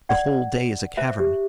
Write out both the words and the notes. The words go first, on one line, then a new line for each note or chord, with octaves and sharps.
The whole day is a cavern.
D5 F#5
C5 E5
G4